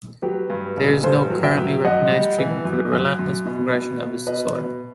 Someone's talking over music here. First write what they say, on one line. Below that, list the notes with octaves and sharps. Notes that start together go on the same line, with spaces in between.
There is no currently recognized treatment for the relentless progression of this disorder.
F#3 G4 B4
G2
A1
G2 A4 C5
F#3
E5 G5
F#3
F#2 D#5 F#5
G3
E3
F#2
F#2
F#2
B2
B2
B2
B2 B4 D#5
B2